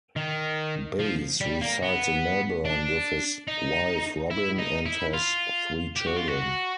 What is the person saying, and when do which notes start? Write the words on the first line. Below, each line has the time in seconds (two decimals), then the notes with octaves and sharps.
Base resides in Melbourne with his wife Robyn and has three children.
0.16 D#3
0.99 F3
1.41 G3
1.61 A#3
1.83 B3
2.65 D4
3.47 D#4
4.30 E4
4.58 D#4
4.86 E4
5.14 F4
5.97 G4
6.07 F#4
6.17 F4
6.28 F#4